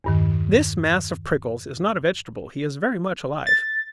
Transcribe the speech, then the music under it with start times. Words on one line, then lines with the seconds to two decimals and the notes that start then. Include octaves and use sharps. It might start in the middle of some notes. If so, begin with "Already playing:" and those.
This mass of prickles is not a vegetable; he is very much alive.
0.04 E2 G2 D#3
3.47 A6